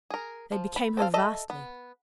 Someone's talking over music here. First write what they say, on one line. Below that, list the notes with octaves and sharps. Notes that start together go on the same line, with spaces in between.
They became her vastly.
G#4 A#4
F3
B5
C4 A4 D#5 F5
A4 D#5 E5
B3